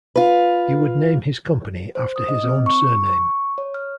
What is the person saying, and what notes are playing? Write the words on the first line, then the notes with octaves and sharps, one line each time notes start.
He would name his company after his own surname.
F4 B4
C5
D#6
D#5
C4
C#6
C#6
C#5
F6